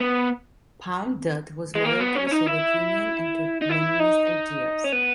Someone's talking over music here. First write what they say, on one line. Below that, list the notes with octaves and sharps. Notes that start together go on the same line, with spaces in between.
Palme Dutt was loyal to the Soviet Union and to Leninist ideals.
B3
G#3
A#3
B3
C#4
C#4
D#4
E4
D#4
E4
D#4
C#4
B3